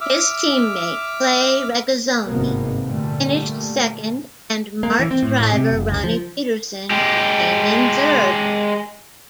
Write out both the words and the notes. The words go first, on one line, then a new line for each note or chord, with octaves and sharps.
His teammate Clay Regazzoni finished second and March driver Ronnie Peterson came in third.
E5 D6 E6 F6
G#1 G2 C3 A#3 B3
A#2 D3 G3 A3
A#3
E3
C4
A2
A2
C3
F#1
C#2
F3
G#3 G4